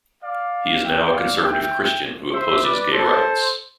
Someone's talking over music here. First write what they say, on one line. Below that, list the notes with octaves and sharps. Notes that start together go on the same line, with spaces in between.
He is now a conservative Christian who opposes gay rights.
D5 F5
E5 G5
D5 F5
E5 G5
C5 E5
B4 D5
A4 C5